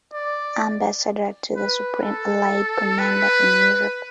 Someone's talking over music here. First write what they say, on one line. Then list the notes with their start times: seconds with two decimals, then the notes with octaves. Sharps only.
Ambassador to the Supreme Allied Commander in Europe.
0.12 D5
1.56 B4
2.02 A4
2.99 B4